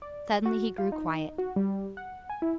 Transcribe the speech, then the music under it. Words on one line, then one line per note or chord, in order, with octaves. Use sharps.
Suddenly he grew quiet.
D5
F#4
F4
D#4
F#4
G3
F#5
G#5
E4